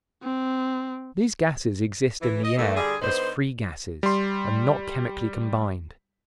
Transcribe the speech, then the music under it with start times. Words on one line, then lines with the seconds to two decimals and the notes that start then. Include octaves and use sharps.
These gases exist in the air as free gases and not chemically combined.
0.23 C4
2.22 E3
2.43 D#5
2.58 D#2 E3 A3
2.76 D3 G3 G#4
3.01 D3 B3 D#4 C5
4.03 G3 C6